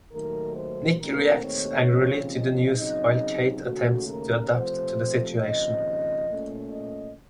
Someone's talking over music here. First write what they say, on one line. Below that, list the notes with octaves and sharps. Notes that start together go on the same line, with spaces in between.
Nick reacts angrily to the news, while Kate attempts to adapt to the situation.
D#2 D#3 F#3 A3 D#4 A#4
C5
D#2 D#3 A3 C4 A#4
C#5
D#2 C#3 F3 C4
D#5
C#3 F#3 C4 D#4 D#5
D#2 C#3 A3 F#4
A#4
C3 F3 A3 C5
D#2 C#3 F3 C4 D#5
A#2 A3 C#4
D#5